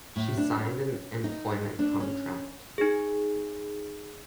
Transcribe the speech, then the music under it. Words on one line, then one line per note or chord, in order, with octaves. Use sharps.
She signed an employment contract.
A2
D4
C#4
D#4
D4
C#4
D#4 G#4